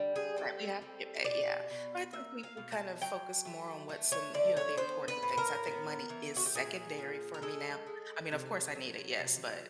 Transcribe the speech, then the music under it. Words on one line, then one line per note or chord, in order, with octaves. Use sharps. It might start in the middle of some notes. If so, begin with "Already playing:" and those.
Right, we have to get paid, yeah, but I think we we kind of focus more on what's in, you know, the important things, I think money is secondary for me now. I mean, of course, I need it, yes, but,
Already playing: D3 G3
G#4
C4 A4
G3
B2 D5
B2
A#3 E5
F5
B2
A5
F#3 G5
A3
A3
C#5
D3 D5
C#5
B3 C5
B4
A2
A#4
B3
E3
F#4
G4
A#2 G#4
F3
A#4
G#3 A4
G#3
C3
F#3
C3